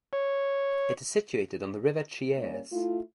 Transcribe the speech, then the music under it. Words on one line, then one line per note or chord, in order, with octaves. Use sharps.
It is situated on the river Chiese.
C#5
G3 A#3 C#4
A3 E4 F4